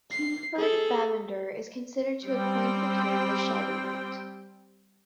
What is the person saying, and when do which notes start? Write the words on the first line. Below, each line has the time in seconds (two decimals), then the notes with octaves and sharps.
Kingford Bavender is considered to have coined the term the "Shelby" knot.
0.12 C7
0.56 G#4 A4
2.27 G3 C4 C5 G5